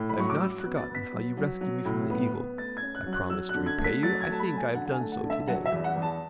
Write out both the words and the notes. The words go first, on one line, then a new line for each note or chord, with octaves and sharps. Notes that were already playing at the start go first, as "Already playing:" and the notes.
"I have not forgotten how you rescued me from the eagle; I promised to repay you, I think I have done so to-day."
Already playing: A2
B5
F#3 C#6
D6
F#3 E6
F#6
B3
A6
B3
B6
F#3
F#3
F#3
A2
B3
B3
A3 A6
G#6
C#4
F#6
F#3
F#6
F#3 E6
F#6
D3
G#6
A3
B6
F#3 A6
G#6
A3
A5
B5
F#3
G#5
D3 F#5
F#5
G#5
A3
F#5
D3
E5
F#3 F#5
E5
E2
F#5
E2
A5